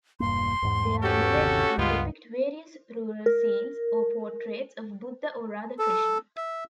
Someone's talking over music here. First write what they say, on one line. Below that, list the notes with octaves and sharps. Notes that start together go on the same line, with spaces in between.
They are innovative and depict various rural scenes or portraits of Buddha or Radha-Krishna.
E1 G2 A#3 C6
E2 G#2
C#4 F#4 G4 A4
G1 D#2 C3
C#2 G2 G#3 B3 F4
A#4
A4
E5